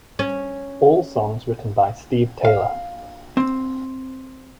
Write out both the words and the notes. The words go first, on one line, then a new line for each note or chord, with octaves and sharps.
All Songs Written by Steve Taylor.
C#4
F5
C4